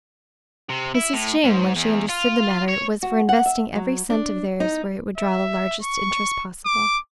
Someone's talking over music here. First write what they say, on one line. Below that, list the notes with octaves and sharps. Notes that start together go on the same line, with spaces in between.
Mrs. Jane, when she understood the matter, was for investing every cent of theirs where it would draw the largest interest possible.
C3
E4
A2
G#2
E2
F4
C#5
F#4
F#5
E5
F#3
D4
D#4
E5
C#6
D6